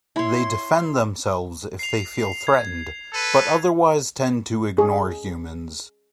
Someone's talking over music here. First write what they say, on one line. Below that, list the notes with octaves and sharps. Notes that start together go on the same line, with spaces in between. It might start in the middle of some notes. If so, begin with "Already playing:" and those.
They defend themselves if they feel threatened, but otherwise tend to ignore humans.
E4 C#5 C6
C7 F7
G#6
A4 B4
G#4